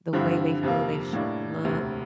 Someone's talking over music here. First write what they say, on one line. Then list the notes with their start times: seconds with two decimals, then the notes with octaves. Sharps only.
the way they feel they should look,
0.13 G2 D3 F3 C4 E4
0.63 F2 C3 F3 A#3
1.13 A2 G3 A#3 D4
1.64 E1 D2 C3